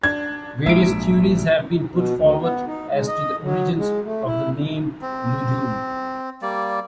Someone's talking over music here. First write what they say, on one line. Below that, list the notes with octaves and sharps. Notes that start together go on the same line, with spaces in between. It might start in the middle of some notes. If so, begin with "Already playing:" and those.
Various theories have been put forward as to the origins of the name "Loudoun".
D4 G#6
A#1 G#2 E5 D7
B2
D2
B3
D#4
G#3
D#5
F#3
G#3
A3
E4
C4
G3 A#3 D5